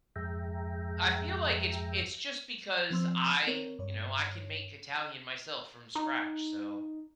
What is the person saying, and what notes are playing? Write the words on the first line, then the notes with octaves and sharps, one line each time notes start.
I feel like it's it's just because I, you know, I can make Italian myself from scratch. So
F2 G#2 G#4 E5 G5 A#5
F3 C4 C6 E6
C4 A#4 C#5
G2 C#5
D#4